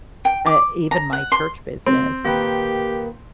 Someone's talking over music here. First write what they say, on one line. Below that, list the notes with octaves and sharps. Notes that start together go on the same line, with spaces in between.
uh, even my church business.
G5
D6
A#5
F#5
C6
C4
A#2 D#3 G4 B4